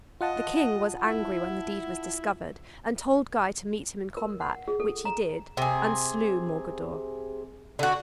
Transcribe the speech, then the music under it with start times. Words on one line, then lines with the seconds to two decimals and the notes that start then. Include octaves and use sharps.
The King was angry when the deed was discovered and told Guy to meet him in combat, which he did, and slew Morgadour.
0.21 F4 D#5 F#5 A5
1.06 E4
4.17 A#4
4.40 F#5
4.68 G#4
4.80 A4
5.05 A#5
5.57 C3 G#4
7.79 D3 F#4